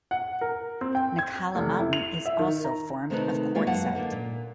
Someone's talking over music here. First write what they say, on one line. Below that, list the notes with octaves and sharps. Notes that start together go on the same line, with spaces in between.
Knockalla Mountain is also formed of Quartzite.
F#5
A#4
C4
G5
G#6
F1
E4
F7
E5
D#3
A#5
C3 D#3 A3 D#4 A#4 B4
G#3 A#3 F4 G#4 C#5 E5
F#2 F#3 A#3 B4 F#5 A5
D3 A#3 D#4
A#2